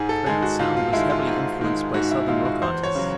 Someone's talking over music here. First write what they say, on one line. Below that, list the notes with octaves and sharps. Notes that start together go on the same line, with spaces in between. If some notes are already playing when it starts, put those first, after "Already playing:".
The band's sound was heavily influenced by Southern rock artists.
Already playing: G#2 G#4
A4
D#3 G#3 G#4
F#4
G#2 F4
F4
D#3 G#3 E4
F4
G#2
D#3 G#3
G#2 F#4
E4
D#3 G#3 F4
F#4
E2 C5
C#5
C#3 F#3